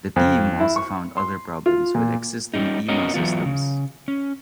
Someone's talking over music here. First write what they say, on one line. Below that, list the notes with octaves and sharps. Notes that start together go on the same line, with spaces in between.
The team also found other problems with existing email systems.
F2
E4
C#6
C6
F4
A#2
G3 C#4 D#4
B3 C#4 F#4 A#4 C#5 D#5
E3 F#3 B3 F4
C#3
C#4